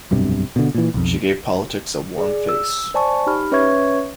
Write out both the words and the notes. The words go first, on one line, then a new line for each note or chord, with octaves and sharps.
She gave politics a warm face.
F1 B1 G2 C3
B2 D3
A#2 E3
B1 F2
G#4 D5
E6
C5 D5 G#5 A5 C#6
D#4 G4 B5 F6
C#4 B4 C#5 E5 C#6 G#6